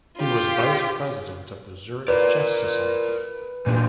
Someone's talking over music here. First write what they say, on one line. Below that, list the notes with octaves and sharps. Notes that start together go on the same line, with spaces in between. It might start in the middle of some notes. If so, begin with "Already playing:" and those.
He was Vice President of the Zurich Chess Society.
F4 G4
A#4 B4 D5
A#2 E3 F3 D4 G4